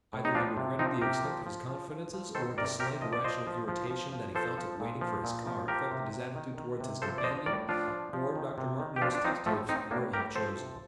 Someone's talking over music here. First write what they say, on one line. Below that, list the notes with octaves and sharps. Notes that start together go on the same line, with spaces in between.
Either he regretted the extent of his confidences or the slight irrational irritation that he felt at waiting for his car affected his attitude towards his companion, or Dr. Martineau's tentatives were ill-chosen.
A2
D#4
F3 D4 F4
C3
F3 C4 D#4
C3 G4 A#4
F3
F3
F3
F3
F3
D#3 A4 C5
C3 A#4 D5
C3 G4 A#4
F3 D#5
D5
F3 C5 D#5
F3
F3
F3
F3
F3 A4 C5
F3
A#2
F3
A#2
F3
F3 G4 A#4
C3
C3
D#3
D#3
C3
F3 A4 C5
D5
F3 C5 D#5
A2 A#4 D5
F3 D4 F4
F3
F3
D#3
C3
D#3
G4
F3 D4 F4
D4
F3 C4 D#4
A2 F3 A3
A2 C4 D#4
A2 A#3 D4
A2 G4 A#4
F3 A4 C5
C3